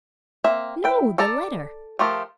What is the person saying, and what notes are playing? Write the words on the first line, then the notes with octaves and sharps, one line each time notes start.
"No; the letter."
A#3 C4 E5
E4 G5
A4 D5 A5 A#5
F3 A3 F4 G4 A#4